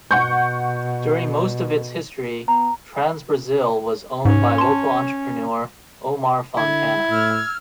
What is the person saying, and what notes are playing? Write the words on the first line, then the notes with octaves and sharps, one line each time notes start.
During most of its history, Transbrasil was owned by local entrepreneur Omar Fontana.
B2 F#5 C#6 G6
B3 A#5
G#2 C#4
A5 C6
D3 E4 G#6
A2 E6 F6